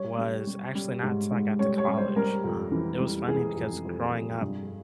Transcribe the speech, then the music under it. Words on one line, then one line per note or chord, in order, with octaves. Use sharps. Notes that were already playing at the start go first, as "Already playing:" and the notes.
was actually not 'till I got to college, um, it was funny because growing up,
Already playing: G3 C#5
G3
G3
G3
G#2
G#2
G3 C#5
C#5
G3
C5
G3 A#4
F2
E3
G3
E3 G#4
F2
F2
F2
G2